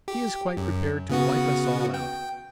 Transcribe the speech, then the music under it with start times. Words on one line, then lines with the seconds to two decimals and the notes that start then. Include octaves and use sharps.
He is quite prepared to wipe us all out.
0.08 G4
0.57 F#2
1.10 C#3 B3 F#4
1.94 G5